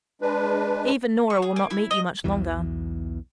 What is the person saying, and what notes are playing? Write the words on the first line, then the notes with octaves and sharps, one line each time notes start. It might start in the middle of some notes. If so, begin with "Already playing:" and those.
Even Nora will not meet you much longer.
G#3 D4 B4
C#6
G#4
A#3
E4
D#5
B1 E2 B2 E3